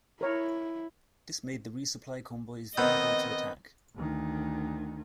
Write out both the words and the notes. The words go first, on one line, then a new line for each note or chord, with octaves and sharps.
This made the resupply convoys vulnerable to attack.
E4 A#4 C#5
D#3 B3 C4 D#5
D2 D#3